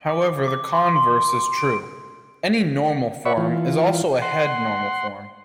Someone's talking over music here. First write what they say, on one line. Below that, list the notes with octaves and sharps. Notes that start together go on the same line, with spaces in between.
However, the converse is true: any normal form is also a head normal form.
D6
D6
C6
C6
D7
C#5 D5 E5 F#5 B5 C#6
E3 F4
F#5 C6